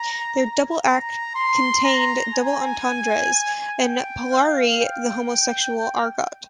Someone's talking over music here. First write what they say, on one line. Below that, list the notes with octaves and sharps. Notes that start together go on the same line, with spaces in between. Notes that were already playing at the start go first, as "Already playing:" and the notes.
Their double act contained double entendres and Polari, the homosexual argot.
Already playing: A#5
A#5
C6
A#5
G#5
G5
F5
G5